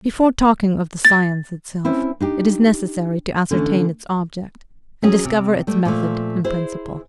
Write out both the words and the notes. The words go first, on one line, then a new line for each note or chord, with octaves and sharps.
Before talking of the science itself, it is necessary to ascertain its object, and discover its method and principle.
A6
C4 C#4 E4
D4 D#4 G4
D3 E3 A3 C#4 D4
F#3 C#4 G#4
C3
G3 A3
A#2 F3 A3
E4 G#4 C5